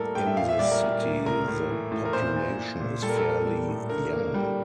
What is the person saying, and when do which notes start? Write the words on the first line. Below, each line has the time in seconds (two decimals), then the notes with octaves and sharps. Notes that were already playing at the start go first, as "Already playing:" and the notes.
In the city, the population is fairly young.
Already playing: A2 G3 A#3 A4 A#4
0.15 A2 G5
0.27 E5
0.37 A#2 F5
0.49 E5
0.59 G3 D5
0.71 A#4
0.82 A#2
1.03 A#3
1.26 A2 A#4
1.48 A2
1.70 E3
1.92 A2
2.05 A#4
2.13 A#2 C5
2.36 A#2
2.58 A#2
2.80 A#2
3.02 G3 A4
3.09 A#4
3.18 A4
3.24 A#3
3.45 G3
3.69 A2
3.90 D3 A#4
4.12 A#3
4.34 G3